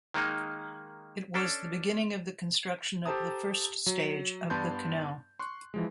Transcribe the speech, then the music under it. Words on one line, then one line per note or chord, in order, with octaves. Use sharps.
It was the beginning of the construction of the first stage of the canal.
D#3 G#3 A#3 D#4
C#4 D4 A4
G4 A4 C5 A5 A#5 D#6
F#3
G2 B3 D4 A5 C6 G6
C6 C#6 F#6
E3 F3 G#3